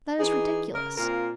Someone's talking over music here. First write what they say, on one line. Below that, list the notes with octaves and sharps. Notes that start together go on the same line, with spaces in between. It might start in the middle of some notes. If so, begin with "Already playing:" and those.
That is ridiculous.
E3 D#4 G#4
C#3 A#4
A#2 C4 F4 A#4 F5